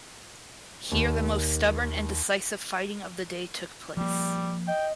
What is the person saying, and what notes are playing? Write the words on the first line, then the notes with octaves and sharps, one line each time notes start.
Here the most stubborn and decisive fighting of the day took place.
D#2
F3 G3 A#3
D#5 G5